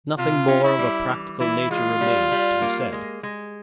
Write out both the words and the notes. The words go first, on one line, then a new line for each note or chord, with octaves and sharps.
Nothing more of a practical nature remained to be said.
C3 F4
C#4
E4
G3
E3
E3 E4
G#3 F4
G3
G3
A#3
G#3
G#3